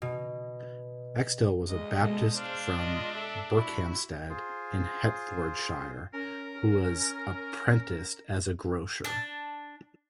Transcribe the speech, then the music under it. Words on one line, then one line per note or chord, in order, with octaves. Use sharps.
Axtell was a Baptist from Berkhamsted in Hertfordshire, who was apprenticed as a grocer.
B2
D2 G#3 D#5
B2 G#3 A4 D#5
D4 C5 F5
F4 D#5
A4 E5
E4 F#4
F4 G#4 C5
C#4 A#4
D4 A5